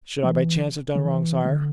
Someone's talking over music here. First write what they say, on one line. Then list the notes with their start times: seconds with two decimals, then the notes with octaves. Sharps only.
"Should I by chance have done wrong, sire?"
0.23 E3
0.95 D3
1.05 E3
1.45 D3